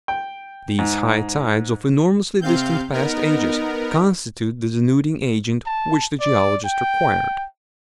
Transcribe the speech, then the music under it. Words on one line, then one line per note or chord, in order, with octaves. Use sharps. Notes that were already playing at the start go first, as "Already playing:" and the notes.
These high tides of enormously distant past ages constitute the denuding agent which the geologist required.
G5
G#2
C3 C4 F5 G6
B3 D#4 A#4
A5
D5
G5